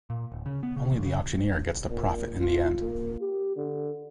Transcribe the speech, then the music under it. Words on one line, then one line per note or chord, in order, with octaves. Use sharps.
Only the auctioneer gets to profit in the end.
A#2
D1
C#3
B3
C#3
A1
C#3
A#2
F4
A#3
G4
D3